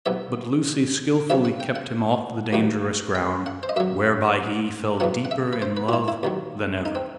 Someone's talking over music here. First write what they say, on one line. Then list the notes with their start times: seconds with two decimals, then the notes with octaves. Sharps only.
But Lucy skilfully kept him off the dangerous ground, whereby he fell deeper in love than ever.
0.06 C2 B2 F#3 E5
1.30 E2 C3 F#3 E5
1.45 F#5
1.60 G5
1.76 F#5
2.53 D#2 D#3 F#3
3.15 G5
3.46 F#5
3.63 C5
3.69 D#5
3.76 F#2 F#3 E5
5.00 E2 B2 F#3 F#5
5.25 F#5
5.31 E5
5.53 B4
5.62 C5
5.77 B4
5.89 F#4
5.93 E4
6.08 E4
6.23 D#2 D#3 F#3
6.85 D#4
6.95 C4